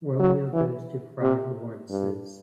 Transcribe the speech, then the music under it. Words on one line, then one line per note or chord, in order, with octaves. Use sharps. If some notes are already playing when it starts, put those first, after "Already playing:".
Romeo goes to Friar Lawrence's.
F#3
E3
C3
G2